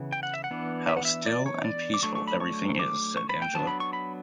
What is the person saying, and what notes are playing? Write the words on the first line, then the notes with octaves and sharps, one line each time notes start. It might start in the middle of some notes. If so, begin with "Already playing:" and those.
"How still and peaceful everything is," said Angela.
Already playing: C#3 E3 B3
G5
F#5
E5
F#5
E3 B3 D4
E5
F#5
E5
D5
C#5
D5
D6
F#3 A3 D4 C#6
C#6
B5
C#6
D6
C#6
B5
G5
F#3 B3 D4 A5
B5
C#6
B5